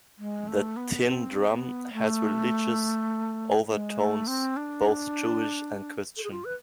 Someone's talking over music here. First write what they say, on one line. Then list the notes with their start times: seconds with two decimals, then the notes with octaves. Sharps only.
"The Tin Drum" has religious overtones, both Jewish and Christian.
0.18 G#3
0.48 A3
0.76 B3
1.05 C4
1.50 B3
1.93 A3
3.68 G#3
3.98 A3
4.27 C4
4.57 D4
6.17 A4
6.24 G#4
6.31 F4
6.45 B4